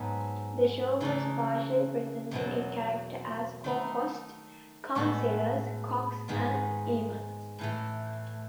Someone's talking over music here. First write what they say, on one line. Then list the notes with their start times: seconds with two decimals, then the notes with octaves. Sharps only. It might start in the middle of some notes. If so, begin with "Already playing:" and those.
The show was partially presented in character as 'co-hosts' Councillors Cox and Evans.
Already playing: G#2 F#3 B3 D#4 A4
1.00 C#3 E3 A3 D#4 A4
2.31 E2 B2 F#3
3.64 D#3 A3 D#4
4.95 A2 G#3 B3 F#4 A4
6.28 G#2 D#3 G#3 B3
7.59 A2 E3 A3